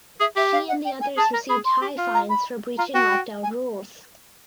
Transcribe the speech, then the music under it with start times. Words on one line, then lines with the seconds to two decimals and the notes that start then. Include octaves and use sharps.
She and the others received high fines for breaching lockdown rules.
0.20 G#4 E5
0.36 G4 E5
0.53 F5
0.68 F#5
0.85 G5
1.01 G#5
1.17 G#4 A5
1.33 A#4
1.49 G#4 B5
1.65 C6
1.82 G4
1.98 F4
2.14 A#5
2.30 B5
2.78 F4 A#5
2.94 F#4 G5
3.11 G5
3.43 G#5